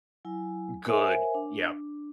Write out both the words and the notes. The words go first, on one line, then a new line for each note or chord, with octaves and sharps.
Good. Yep.
F#3 E4 G#5
A#4 C5 C#5 E5 F#5 G#5
D4